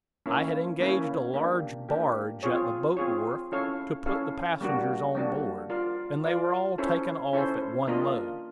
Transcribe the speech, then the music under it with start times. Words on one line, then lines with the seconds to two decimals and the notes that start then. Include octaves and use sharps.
I had engaged a large barge at the boat-wharf to put the passengers on board, and they were all taken off at one load.
0.26 A#3 C#4 E4
0.80 A#3 C#4 E4
1.34 A#3 D4 G4
1.89 A#3 D4 G4
2.43 C4 F4 G#4 C#5
2.97 C4 F4 G#4 C#5
3.52 C#4 E4 A4 C#5 F5
4.06 C#4 E4 A4 C#5 F5
4.61 G3 A#3 D4 F#4
5.15 G3 A#3 D4 F#4
5.70 F4 A#4 D5 F5
6.25 F4 A#4 D5 F5
6.78 C#4 E4 A4 C5
7.33 C#4 E4 A4 C5
7.87 A#3 D4 F4 A#4 D#5